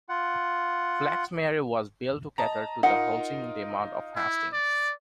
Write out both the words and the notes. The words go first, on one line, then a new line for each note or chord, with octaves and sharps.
Flaxmere was built to cater to the housing demand of Hastings.
F4 F#5
D#5 A5 A#5
D#4 F4 A#4 F#5
E4
D5